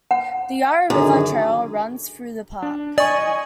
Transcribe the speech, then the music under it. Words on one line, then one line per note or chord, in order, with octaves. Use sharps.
The Yarra River Trail runs through the park.
F#5
F#2 D3 D#3 G#4
D4
D5 D#5 G#5 C#6